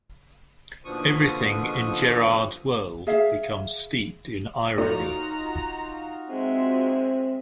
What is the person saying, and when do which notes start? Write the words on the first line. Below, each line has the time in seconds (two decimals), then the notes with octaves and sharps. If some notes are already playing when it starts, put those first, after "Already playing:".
Everything in Gerard's world becomes steeped in irony.
0.85 D#2 B2 D3 F3 C#6 D#6
3.07 G#4 E5 F5
4.78 A2 D#4 F4 F#4 A#5
6.30 G#3 C4 E5